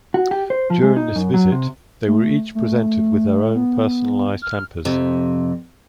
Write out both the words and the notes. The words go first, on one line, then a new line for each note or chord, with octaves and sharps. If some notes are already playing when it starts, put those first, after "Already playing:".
During this visit, they were each presented with their own personalized hampers.
F#4
G4
C5
F3
G#3
D#4
F#2
F#3
C3
A3
A3
B3
F6
F2 C3